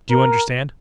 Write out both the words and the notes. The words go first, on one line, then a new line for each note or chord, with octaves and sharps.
Do you understand?
A#4